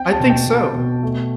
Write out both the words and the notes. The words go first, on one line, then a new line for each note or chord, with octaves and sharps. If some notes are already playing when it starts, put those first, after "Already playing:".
I think so.
Already playing: C4 G5
A5
B2
G5
B2
B2
A3